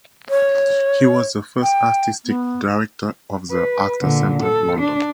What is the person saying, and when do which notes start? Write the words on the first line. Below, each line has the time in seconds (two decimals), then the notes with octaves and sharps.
He was the first Artistic Director of The Actors Centre, London.
0.30 C#5
1.63 G5
2.25 B3
3.51 B4
4.02 A#2 D3
4.43 A4
4.79 D4